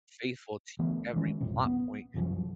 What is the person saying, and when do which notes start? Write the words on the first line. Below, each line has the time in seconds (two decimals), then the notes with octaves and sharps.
faithful to every plot point,
0.79 D2 E3 A3 B3
1.16 D#3 G#3 C#4
1.41 F1 B1 A2 C3
1.66 B3
2.14 G1 C2 F#2 F3